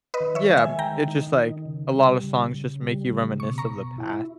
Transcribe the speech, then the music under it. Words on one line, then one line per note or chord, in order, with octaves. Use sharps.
Yeah, it just like, a lotta songs just make you reminisce of the past.
B4 D#5
D#3
C#5 E5
G#3
E5 G#5
D#3 G5 A#5
D#4
D#3
C#3
G3
C#3
C#3
G3
C#3
B2 C#6
A#5 C#6
B2
E4